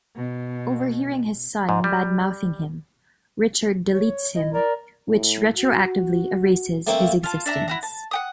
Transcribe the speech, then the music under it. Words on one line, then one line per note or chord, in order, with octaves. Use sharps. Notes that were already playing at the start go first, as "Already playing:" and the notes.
Overhearing his son badmouthing him, Richard deletes him, which retroactively erases his existence.
B2
G#2
G3
C#5
E4 D#5
A#4 D5
A2
F#4
A3 A#3 C4
F4 A5
D4 E5 A#5
E4 F#4 A#5
A5
F#5 G5 D#6